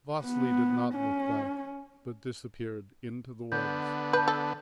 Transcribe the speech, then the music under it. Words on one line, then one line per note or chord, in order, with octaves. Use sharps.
Vasily did not look back, but disappeared into the woods.
B3
C#4
D3 B3 G6
B4 A5 G6
A4